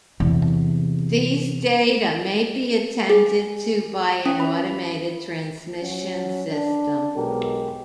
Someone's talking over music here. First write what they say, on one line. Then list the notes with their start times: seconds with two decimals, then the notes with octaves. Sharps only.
These data may be attended to by an automated transmission system.
0.20 E2 C3
3.10 G#4
4.26 C#4
4.40 B5
5.81 F#3 C#4
6.49 D4
7.15 B1 B2 G#3 G4 A#4